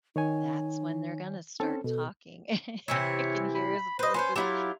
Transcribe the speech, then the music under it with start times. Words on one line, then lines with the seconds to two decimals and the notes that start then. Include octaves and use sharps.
that's when they're gonna start talking," and I can hear his voice, it's
0.16 D#3 D#4 C#5 G#5
1.60 C4 C#4 D#4 A4
1.84 B2 A4
2.88 C3 E3 E4 C#5
3.55 B5
3.99 B4 C5 D#5
4.14 C#4 B4 C5 C6
4.36 F#3 E4 F4 G4